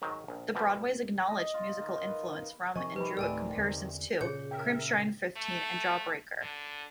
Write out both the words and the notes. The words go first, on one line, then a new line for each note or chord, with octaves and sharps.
The Broadways acknowledged musical influence from and drew comparisons to Crimpshrine, Fifteen and Jawbreaker.
G#2 D#3 F#3
A#1
B2 E3 F3 G3
D#5
F4
D#3
B4
C3 D#3 F3 C4 D#5 G#5 C#6
F3 G3 G4 B4 B5
D1 A2 A3 A#4 D5 G5 G#5
E2 D3 C4
A#2 C#3 G#4 C#5 G6 C#7
A#4 E5 G5
A3
D3